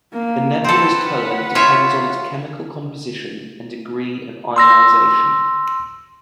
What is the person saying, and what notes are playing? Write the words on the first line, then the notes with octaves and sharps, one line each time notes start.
The nebula's color depends on its chemical composition and degree of ionization.
A#3
C4 A4 B4 F#5
F4 C#5 E5
C6 E6 A#6